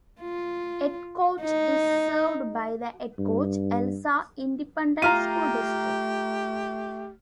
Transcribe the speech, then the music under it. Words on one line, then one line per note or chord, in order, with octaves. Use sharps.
Edcouch is served by the Edcouch-Elsa Independent School District.
F4
D#4
G2
A3 F4 G4 A#5 F6 D#7